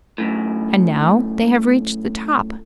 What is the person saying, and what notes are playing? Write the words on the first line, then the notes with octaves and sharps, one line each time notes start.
And now they have reached the top.
F#2 A2